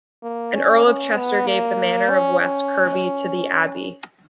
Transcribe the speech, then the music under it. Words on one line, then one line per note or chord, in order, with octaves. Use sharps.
An Earl of Chester gave the manor of West Kirby to the Abbey.
A#3
C#4
C#4
B3
A#3
C#4
C#4